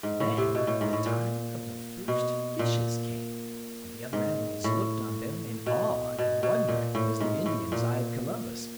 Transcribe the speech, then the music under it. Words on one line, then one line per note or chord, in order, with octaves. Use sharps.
Then, the time of the first fishes came, and the other animals looked on them in awe and wonder as the Indians eyed Columbus.
G#2
A2
C3
B2
A2
G#2
A2
A#2
B2
A#2
G#2
A2
B2
B2
B2
A#2
A2
G#2
A2
A#2